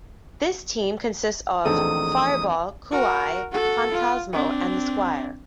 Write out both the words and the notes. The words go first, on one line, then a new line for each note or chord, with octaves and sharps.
This team consists of Fireball, Kuei, Phantasmo and the Squire.
A#1 E2 D#3 A3 C4 A4 D#6
F#4 A#4
F#4 A4
F4
C4 D4